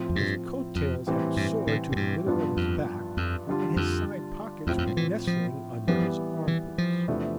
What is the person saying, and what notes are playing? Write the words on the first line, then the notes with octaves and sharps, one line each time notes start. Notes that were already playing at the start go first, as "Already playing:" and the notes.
His coat tails had soared to the middle of his back, and his side pockets were nestling under his armpits.
Already playing: A2 F3 C4 E4
F2
G2
F2
A2 E3 G3 C4
G2
A2
A2
G2
G2 F3 B3 D4 F4
F2
F2
D3 G3 D4 F4
F2
E2 A2 F3 C4 F4
F2
G2
E3
F3
E3 F3 G3 B3
E3
F3
E2 C3 F3 A3 D4